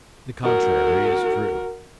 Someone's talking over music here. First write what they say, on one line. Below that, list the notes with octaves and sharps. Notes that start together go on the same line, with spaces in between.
The contrary is true.
F#4 A#4